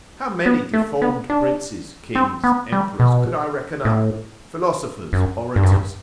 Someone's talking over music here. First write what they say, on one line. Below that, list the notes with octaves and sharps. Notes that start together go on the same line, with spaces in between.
How many deformed princes, kings, emperors, could I reckon up, philosophers, orators?
B3
A3
B3
D4
C4
B3
G3
B2
A2
F#2
G2
F#2
G2